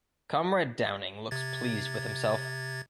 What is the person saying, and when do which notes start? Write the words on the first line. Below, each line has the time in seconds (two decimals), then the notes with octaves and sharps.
Comrade Downing looks pleased with himself.
1.31 C3 G#6 A6